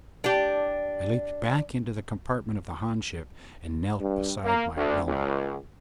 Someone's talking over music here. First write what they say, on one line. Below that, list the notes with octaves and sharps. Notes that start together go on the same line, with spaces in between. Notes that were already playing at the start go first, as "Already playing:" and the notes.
I leaped back into the compartment of the Han ship and knelt beside my Wilma.
D4 G4
G2
A#3
D2
C#2